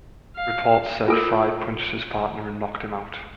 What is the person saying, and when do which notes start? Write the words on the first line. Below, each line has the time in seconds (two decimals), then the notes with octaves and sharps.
Reports said Fry punched his partner and knocked him out.
0.37 F5
1.08 F4 A4 A#4